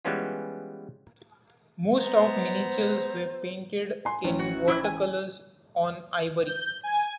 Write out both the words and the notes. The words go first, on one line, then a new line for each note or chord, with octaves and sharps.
Most of miniatures were painted in watercolors on ivory.
E3 G3 G#3 B3 C#4 F4
B3 C5 A#5
G#5 C6
A1 C#4
F#4
E3 E4
G#5
G6
G#5